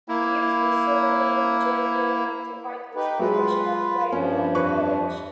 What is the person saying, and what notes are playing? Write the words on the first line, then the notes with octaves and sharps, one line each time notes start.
He used the pseudonym "Jerry Denny" to hide his professional play from the college.
A#3 E4
D#4 G4 B4
F#3 G#3 F4 B4
G2 F3 C#4
F2 B4 C#6